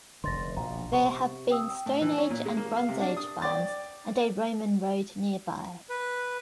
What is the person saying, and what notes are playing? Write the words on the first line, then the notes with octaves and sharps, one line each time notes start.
There have been Stone Age and Bronze Age finds and a Roman road nearby.
F1 D3 C6 A6 A#6
A#1 B2 A#5
C3 C#6
G5 D#6 E6
A2
E3
C#4
A#2
G#3
A#3
F5
C3
D4
D#6
D5 G5 D6 A6
B4